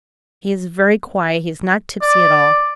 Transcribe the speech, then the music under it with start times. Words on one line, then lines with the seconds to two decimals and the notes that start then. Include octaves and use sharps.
He is very quiet--he is not tipsy at all.
2.02 D5